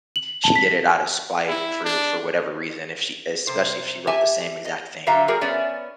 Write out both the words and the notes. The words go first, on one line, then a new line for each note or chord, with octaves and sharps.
she did it out of spite for for whatever reason if she especially if she wrote the same exact thing
F#7
A5
B6
E4
D4
C3 C5
G4 E5 G#5 A5
D#5
D3 F#3 E5 F5 A#5
G3 F#4 G#4 A#4
B3 C#4 D5 E5 G#5